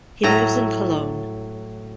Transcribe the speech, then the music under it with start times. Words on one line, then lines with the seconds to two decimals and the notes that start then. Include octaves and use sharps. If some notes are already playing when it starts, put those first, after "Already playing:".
He lives in Cologne.
0.23 A2 F#3 A#5